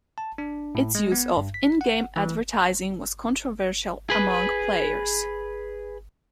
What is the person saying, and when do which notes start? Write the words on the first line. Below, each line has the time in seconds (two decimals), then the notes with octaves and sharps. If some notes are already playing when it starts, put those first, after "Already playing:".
Its use of in-game advertising was controversial among players.
0.18 A5
0.38 D4
0.75 A2
0.95 G#3
1.12 B3
1.37 G2
1.54 B6
1.81 F#5
2.16 E3
4.10 G#4 B4